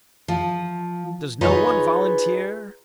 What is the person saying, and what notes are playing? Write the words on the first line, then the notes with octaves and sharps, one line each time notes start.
"Does no one volunteer?"
F3
D#4 F4 G#4 B4 C#5 D#5